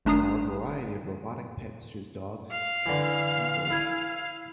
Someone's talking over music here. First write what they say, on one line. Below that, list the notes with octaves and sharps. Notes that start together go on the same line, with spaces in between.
There are a variety of robotic pets such as dogs, cats, and birds.
G#1 A3 D4 A#5 D#6 C7
F5
D3 E3
E4 G#5